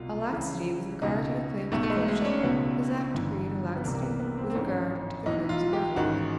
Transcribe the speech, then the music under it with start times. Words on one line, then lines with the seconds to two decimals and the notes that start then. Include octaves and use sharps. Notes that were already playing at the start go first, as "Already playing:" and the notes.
A laxity with regard to the claims of courtship is apt to breed a laxity with regard to the claims of wedlock.
Already playing: C2 B2 F4
0.30 C#2 C#3 E3
1.02 C#2 B2 D#4
1.72 B1 B2 A3
1.83 A3
1.90 G#3
2.08 G#3
2.21 D4
2.25 C#4
2.43 C#2 B2 B3
3.14 G1 G2 E3
3.76 B3
3.84 C2 C3 E3 A#3
3.94 A#3
4.03 B3
4.20 B3
4.38 C4
4.50 C4
4.55 A1 G#2 E3 C#4
5.25 B1 A2 E3 D#4
5.49 F4
5.73 G4
5.96 A1 G#2 D#3 F#4